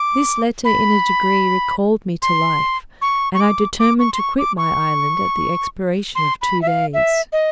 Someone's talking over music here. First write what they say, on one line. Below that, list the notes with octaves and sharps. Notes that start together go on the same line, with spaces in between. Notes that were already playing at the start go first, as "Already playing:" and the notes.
This letter in a degree recalled me to life, and I determined to quit my island at the expiration of two days.
Already playing: D6
B5
C6
C#6
C#6
D6
D6
C#6
C6
C#6
D6
C#6
C6
B5
E5
F5
E5
D#5